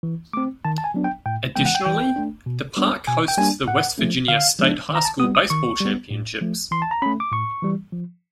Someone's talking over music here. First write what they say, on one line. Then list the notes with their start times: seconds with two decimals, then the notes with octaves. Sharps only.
Additionally, the park hosts the West Virginia state high school baseball championships.
0.03 E3
0.33 A3 C4 D6
0.65 D#3 A5
0.78 A5
0.84 G#5
0.94 F#3 B3 D4
1.04 G5
1.26 A2 G5
1.55 E3 G#3 B3 G5
1.65 F#5
1.75 G5
1.85 E3 G5
2.16 A3 D4
2.46 B2
2.77 G3 B3 D4
3.07 B2 G#5
3.28 G5
3.38 G3 A#3 D4 G#5
3.67 A2 F#5
3.98 F3 A3 C#4
4.28 D3 F5
4.59 F3 G#3 B3 D4
4.89 D#3
4.95 A#5
5.05 A5
5.19 B3 D#6
5.23 G3
5.35 D#6
5.50 D#3 C#6
5.80 G3 B3
6.10 A2
6.41 F3 A3
6.71 E3 C6
6.82 A5
6.91 A#5
7.02 A3 C#4 B5
7.20 D6
7.32 A2 C#6
7.63 E3 G3
7.92 F3